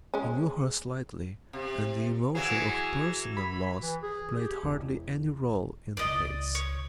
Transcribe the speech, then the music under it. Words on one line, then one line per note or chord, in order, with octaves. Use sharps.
He knew her slightly and the emotion of personal loss played hardly any role in the case.
G#3 C#4
C3
E3 F#3 G#4
B5
E3
G#4
G4
E1
E1 C#2 D5 D#5
C#5